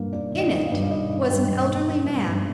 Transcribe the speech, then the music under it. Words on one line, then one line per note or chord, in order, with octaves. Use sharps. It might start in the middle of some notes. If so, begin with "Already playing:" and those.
In it was an elderly man.
Already playing: G2 A#3 D#4
A#3 D5
D#3
D#5
D#4
F5
G2
F5
D#3 D#5
D#3
G2 G5
G2
D#4
D#4
G2
G2